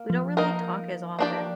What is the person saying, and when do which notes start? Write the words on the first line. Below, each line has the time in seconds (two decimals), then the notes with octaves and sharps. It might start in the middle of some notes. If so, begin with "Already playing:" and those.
we don't really talk as often.
Already playing: A#3
0.10 F3
0.37 A#3 D#4 A#4
1.19 A#3 D4 G4 D5